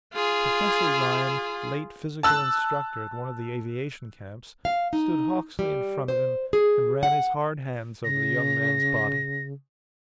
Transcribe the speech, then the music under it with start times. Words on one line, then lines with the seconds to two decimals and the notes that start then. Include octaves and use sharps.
Professor Ryan, late physical instructor at one of the aviation camps, stood Hawksley in front of him and ran his hard hands over the young man's body.
0.14 F4 G#4
2.23 A5 E6 F#6
4.65 F5
4.93 D#4
5.59 G3
6.08 C5
6.53 G#4
7.03 F#5
8.04 C#3 A#6